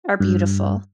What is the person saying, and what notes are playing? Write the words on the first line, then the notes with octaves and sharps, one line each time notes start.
are beautiful.
G2